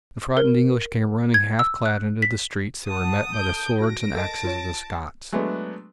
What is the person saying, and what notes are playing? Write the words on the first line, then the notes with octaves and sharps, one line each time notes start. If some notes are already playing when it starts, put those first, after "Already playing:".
As the frightened English came running half clad into the streets they were met by the swords and axes of the Scots.
A#4
G#6
E6
F#6
B6
F#5 A5 D#6
A4 G6 D7
F#4 F6 F#6 A#6 D7
A4 A#4 D#5 A5
F4 C#5
F#3 G#3 A3 B3 D4